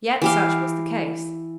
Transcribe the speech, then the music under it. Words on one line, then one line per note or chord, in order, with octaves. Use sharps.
Yet such was the case.
E3 G4 F5